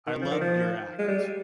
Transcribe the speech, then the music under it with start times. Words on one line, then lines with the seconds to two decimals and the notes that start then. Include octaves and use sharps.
I loved your act.
0.07 D#3
0.22 F3
0.31 D#3
0.41 F3
0.99 G#3
1.08 G3